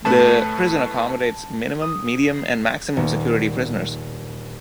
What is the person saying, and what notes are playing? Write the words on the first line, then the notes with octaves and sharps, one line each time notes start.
The prison accommodates minimum-, medium- and maximum-security prisoners.
A2 A3 B4 A5
D#6
C7
D#1